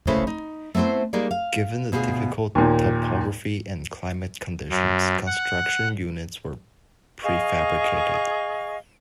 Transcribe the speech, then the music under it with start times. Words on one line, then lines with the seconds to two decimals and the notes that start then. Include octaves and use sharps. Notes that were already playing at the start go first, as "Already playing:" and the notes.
Given the difficult topographic and climatic conditions, construction units were prefabricated.
0.07 C#3 G#3 A3 E4 B4 C5
0.27 D#4
0.75 A3 B3 C4 E4 C5
1.13 G3 G#3 A#3 D#4 G#4 D5
1.31 F5
1.92 D2 B2 F4 F#4 G#4
2.55 D#2 A#2
4.70 F#2
5.27 F#5
7.24 G#4 D#5 F5 C#6